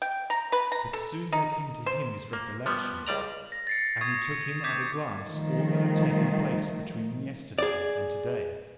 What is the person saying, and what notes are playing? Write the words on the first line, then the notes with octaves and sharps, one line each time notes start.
But soon there came to him his recollection, and he took in at a glance all that had taken place between yesterday and to-day.
G5
A#5
B4
A#5
A4
D#4
C5
A#3
F3 G3 B3
C#2 G3 D5 A#5
A#6
A6 C7 C#7
C#6 D#6 G#6 A#6 C7
C#7
D6 G6 G#6 B6
D#3 F3 G3 A3
G#4 D5